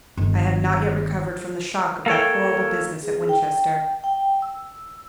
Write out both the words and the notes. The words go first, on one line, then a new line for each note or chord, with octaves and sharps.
I have not yet recovered from the shock of that horrible business at Winchester.
G1 D#3
A#3 A4 C#5 G5
G#4
G5
G5
E6